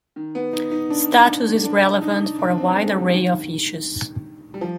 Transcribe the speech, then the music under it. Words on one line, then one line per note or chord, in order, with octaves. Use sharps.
Status is relevant for a wide array of issues.
D#3
B3
D#4
D#4
D4
D4
D#4
D4
D4
C4
G#3
G3
D#3
G3
F3